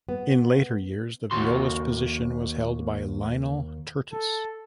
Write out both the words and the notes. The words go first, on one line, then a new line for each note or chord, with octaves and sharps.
In later years the violist position was held by Lionel Tertis.
B3
D#2 F#4 C6
A4